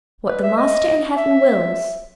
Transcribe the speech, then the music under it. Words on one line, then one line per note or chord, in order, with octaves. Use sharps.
"What the Master in heaven wills!"
B4
E5
D#5
E5